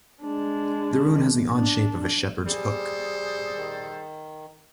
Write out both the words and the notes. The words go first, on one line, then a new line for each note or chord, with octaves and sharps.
The road has the odd shape of a shepherd's hook.
G#3 D4
D4
G3 G#4 A4 C5
D#3